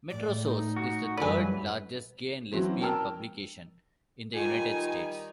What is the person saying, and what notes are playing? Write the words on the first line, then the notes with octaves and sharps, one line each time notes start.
"Metrosource" is the third largest gay and lesbian publication in the United States.
A2 D5
D#4
F#4
F#2 E3 F#3 G3 B4 D5 G#5
E3 F#3 C4 C#4 F#4
A#4 G5 A5 E6 F6
D#3 G3 D#4 F4 G#5